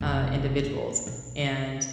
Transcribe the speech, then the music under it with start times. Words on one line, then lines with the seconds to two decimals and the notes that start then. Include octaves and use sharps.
uh, individuals, and
0.01 F1
0.61 A#2
1.07 B1
1.40 D3